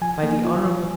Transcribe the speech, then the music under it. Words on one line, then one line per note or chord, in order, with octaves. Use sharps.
By the Hon.
F3 G#5
A#3
F4
F3